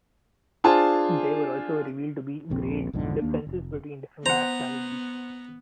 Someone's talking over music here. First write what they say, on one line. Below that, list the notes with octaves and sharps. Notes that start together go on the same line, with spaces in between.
There were also revealed to be grade differences between different nationalities.
D4 F4 G#4 C5 G#5 A5
D#1 A#1 C4
B1 F2 G#2 D3
D#2 A#3 D4
F1
B3 C5 F#5 A#5